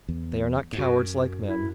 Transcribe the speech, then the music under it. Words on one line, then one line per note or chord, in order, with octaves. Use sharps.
They are not cowards, like men.
E2
G#2
F#2 F#4
E4